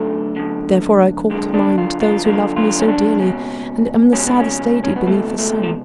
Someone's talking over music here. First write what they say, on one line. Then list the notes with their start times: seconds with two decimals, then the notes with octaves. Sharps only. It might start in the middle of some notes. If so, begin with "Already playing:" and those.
Therefore I call to mind those who loved me so dearly, and am the saddest lady beneath the sun.
Already playing: F#2 D3 A3
0.36 F#2 D3
1.30 F#2 D3 G#3
1.54 D4
1.78 F4
2.02 F4
2.24 F#2 D3 F4
2.56 F4
2.79 C#4
2.88 D4
3.19 C#2 B2 C#4
4.13 C#2 B2 C#4
4.27 B3
4.40 C#4
4.84 C#4
4.96 B3
5.07 C#2 B2 A3
5.38 A3
5.63 F3